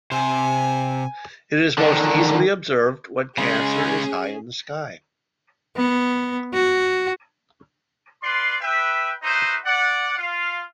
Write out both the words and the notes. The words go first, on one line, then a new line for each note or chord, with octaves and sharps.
It is most easily observed when Cancer is high in the sky.
C3 C5 G#5
D3 D#3
C#3 G#3 C#4 G#4
B3
F#4
F4 B4 D5 C6
B4 E5 G5
D#4 F#4 B4 C5 D#5 E5
D5 F#5
F4 F5